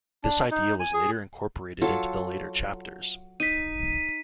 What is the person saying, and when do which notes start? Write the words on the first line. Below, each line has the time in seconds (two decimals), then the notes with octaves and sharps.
This idea was later incorporated into the later chapters.
0.24 D4
0.51 D#4
0.80 G#5
0.94 G#4
1.82 F#3 F4 A4
3.40 D#4 B6 D#7